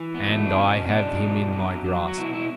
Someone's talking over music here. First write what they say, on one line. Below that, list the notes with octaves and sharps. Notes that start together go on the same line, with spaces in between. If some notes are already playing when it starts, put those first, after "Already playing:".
And I have him in my grasp!
Already playing: E3
B3
B2 A3
D4
B2 C#4
B2 D4
F#3
F#3
F#3
F#4
B2 E4
E4